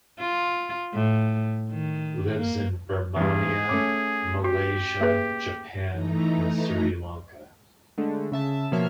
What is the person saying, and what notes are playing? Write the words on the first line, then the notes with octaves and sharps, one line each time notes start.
Lives in Birmania, Malaysia, Japan and Sri Lanka.
F4
A2
D#3
A#3
E2 G2 G#4
A3 C#4 D6
F#4 G4
A#3 G#4 B4
E3 A3 D#4 A#5
D3 G#3 A3
C#3 E5 A5
B2 F3 A#3 C#5 E5 F6